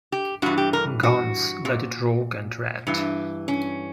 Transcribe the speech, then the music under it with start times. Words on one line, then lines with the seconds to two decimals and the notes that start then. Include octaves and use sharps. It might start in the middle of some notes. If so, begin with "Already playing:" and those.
Guns, Let It Rawk, and Ratt.
0.12 G4
0.42 G2 E3 F#4
0.58 G4
0.73 A#4
1.03 F#4
1.65 A#2
2.87 G2 E3
3.48 C#4